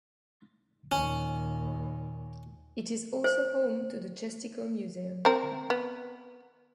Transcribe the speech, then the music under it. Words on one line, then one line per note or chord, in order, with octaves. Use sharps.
It is also home to the Chestico Museum.
D#2 A#2 C#4
C5
C4 A#4
B3